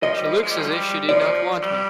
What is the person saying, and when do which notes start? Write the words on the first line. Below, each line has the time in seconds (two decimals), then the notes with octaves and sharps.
She looks as if she did not want me.
0.03 F3 D#5
0.16 G3
0.30 F3
0.43 G#3
0.51 G3
0.59 F3
0.66 G3
1.09 F3 D5
1.62 G3